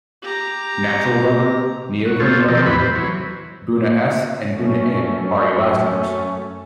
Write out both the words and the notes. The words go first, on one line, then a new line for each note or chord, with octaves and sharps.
Natural rubber, neoprene rubber, buna-s and buna-n are elastomers.
G4 A#5
F#4
F4 A4 C5 C#5
C3 D#3 F3 A3 C4
E2 A2 E3 B4 B5
C5
E3 F#3
F#2 A3 C#4